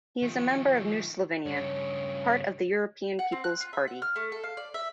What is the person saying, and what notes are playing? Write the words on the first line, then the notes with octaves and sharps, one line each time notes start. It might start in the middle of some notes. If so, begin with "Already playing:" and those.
He is a member of New Slovenia, part of the European People's Party.
D#3 F3
G2 C#3 C#5
F#5
C4
F#6
F4
E5
F#5
F6
A3
A4
F5
D5
E5